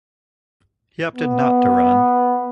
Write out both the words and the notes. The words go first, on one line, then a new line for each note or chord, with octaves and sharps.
He opted not to run.
B3